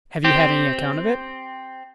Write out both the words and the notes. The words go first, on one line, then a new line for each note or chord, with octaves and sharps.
"Have you had any account of it?"
C4 G4